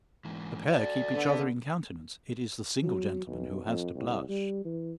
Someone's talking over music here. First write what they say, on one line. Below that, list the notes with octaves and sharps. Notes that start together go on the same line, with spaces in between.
A pair keep each other in countenance; it is the single gentleman who has to blush.
G#2 E3
F#4 A4 D5
D3 B3
F#3
B1
F2
C2
G3
E3